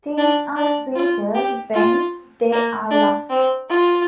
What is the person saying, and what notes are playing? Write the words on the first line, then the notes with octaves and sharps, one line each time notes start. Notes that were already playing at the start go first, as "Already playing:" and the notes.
Things are sweeter when they're lost.
D4
D4
F4
G4
F4
A#3
D4
C4
F4